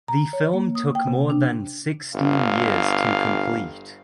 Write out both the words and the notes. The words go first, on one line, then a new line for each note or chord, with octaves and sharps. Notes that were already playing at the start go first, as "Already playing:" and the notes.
The film took more than sixteen years to complete.
A#5
C#5
A#3
D#6
G5
C3
D4
G1 F5